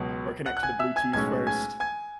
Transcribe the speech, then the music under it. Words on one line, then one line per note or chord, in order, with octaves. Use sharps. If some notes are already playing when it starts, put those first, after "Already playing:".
or connect to the Bluetooth first,
Already playing: C#2 B2 F#3
F#5 F#6
F#6
G#5 G#6
E5 E6
G#5 G#6
B1 A2 G#3 C#4 G#5 G#6
G#5 G#6
G#5 G#6